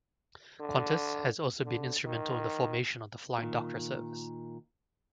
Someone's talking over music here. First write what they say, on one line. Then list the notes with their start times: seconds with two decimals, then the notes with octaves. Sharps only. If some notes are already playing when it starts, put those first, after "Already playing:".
Qantas had also been instrumental in the formation of the Flying Doctor Service.
0.60 D3
1.65 D3
2.06 D#3
3.38 A#2 D#3